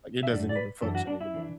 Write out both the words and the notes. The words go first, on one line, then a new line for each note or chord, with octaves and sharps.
like, it doesn't even function anymore.
E5
F#2 D3 A3 D5
D5
B4
F#2 E3 D4 A4
F#4
D4
E4
E3 D4